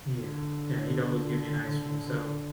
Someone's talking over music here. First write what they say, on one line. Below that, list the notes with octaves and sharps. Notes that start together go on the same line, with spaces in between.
Yeah. Yeah, he'd always give me an ice cream. So,
D3